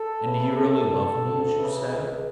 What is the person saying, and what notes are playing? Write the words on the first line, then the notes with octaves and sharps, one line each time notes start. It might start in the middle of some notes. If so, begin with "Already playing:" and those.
"And do you really love me as you say?"
Already playing: A4
C#3 E3
F#2
D3
D2
C#3 E3
C#2